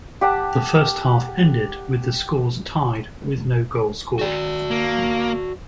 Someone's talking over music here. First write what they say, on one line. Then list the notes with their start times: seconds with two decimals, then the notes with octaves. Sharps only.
The first half ended with the scores tied with no goal scored.
0.21 G4 F#5 A5
4.19 F#4 D5
4.71 A#3